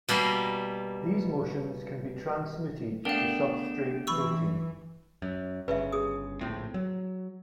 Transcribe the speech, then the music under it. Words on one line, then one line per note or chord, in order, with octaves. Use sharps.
These motions can be transmitted to substrate protein.
B2 G3 A#3 F5
A3 B3 D4 G4 A#4 F5 F#5
E3 B5 C#6 E6
F#2
G1 C#3 B4 E5
G#4 D#6
A#1 A2 C4
F#3